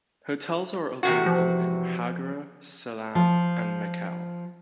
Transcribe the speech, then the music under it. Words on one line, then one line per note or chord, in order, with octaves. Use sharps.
Hotels are available in Hagere Selam and Mekelle.
E2 C3 F#4
F3
F3